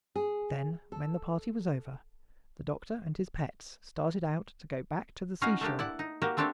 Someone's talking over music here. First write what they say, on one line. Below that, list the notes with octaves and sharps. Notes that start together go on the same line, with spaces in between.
Then, when the party was over, the Doctor and his pets started out to go back to the seashore.
G#4
A4
C#4 D#4 F#4 D#5 F5
A3 A#3 D4 G4
E4 D5 F#5
D#4
A#3 F#4 G4
A3 C4 D4 G4 A4 C#5